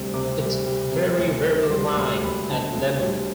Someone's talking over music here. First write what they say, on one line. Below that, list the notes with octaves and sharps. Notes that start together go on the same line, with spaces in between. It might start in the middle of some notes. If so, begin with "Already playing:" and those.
It's veri veri Lime and Lemoni.
Already playing: D2 C3 G3
C3 D6
G3
G3
C3
D2
D2
D6
G3 C6
D2 C6
D2 B5
D3 A5
D2
G3